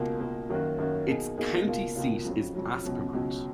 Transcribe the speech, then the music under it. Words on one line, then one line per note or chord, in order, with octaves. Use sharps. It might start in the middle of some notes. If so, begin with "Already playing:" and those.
Its county seat is Aspermont.
Already playing: C#2 B2 A#3
C#2 B2 A#3
F#2 D#3 A#3 C#4 F#4
F#2 D#3 A#3 C#4 F#4
B2 A#3 D#4 G#4
B2 A#3 D#4 G#4
C#2 B2 A#3 F4
C#2 B2 A#3 F4
F2 C#3 F#3
F2 C#3 F#3
C#2 B2 F#3 C#4
C#2 B2 F#3 C#4